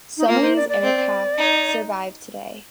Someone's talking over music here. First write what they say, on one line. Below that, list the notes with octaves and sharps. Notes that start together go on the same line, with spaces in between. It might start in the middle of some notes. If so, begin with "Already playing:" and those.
Some of these aircraft survive today.
D#4
A#3 F4
C5
D5
D5
C4
D#4